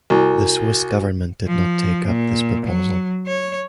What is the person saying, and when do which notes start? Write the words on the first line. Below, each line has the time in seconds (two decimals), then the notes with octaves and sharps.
The Swiss government did not take up this proposal.
0.10 C2 F#4 G#5
1.47 F3
2.07 A#2
2.66 F#3
3.27 C#5